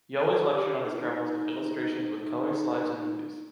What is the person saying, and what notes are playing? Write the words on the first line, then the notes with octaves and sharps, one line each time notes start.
He always lectured on his travels with illustrations with color slides and movies.
A4
G4
D#4
F4
D#4
D#4